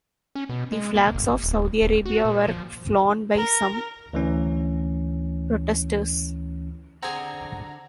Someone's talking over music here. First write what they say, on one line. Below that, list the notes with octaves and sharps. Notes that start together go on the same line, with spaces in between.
The flags of Saudi Arabia were flown by some protesters.
C#4
B2
G#3
A#3
G1
D1
D#1
F#4
A#2
F3
A#4
D2 E3 C#4
D3 C4 G#4 F#5 A#5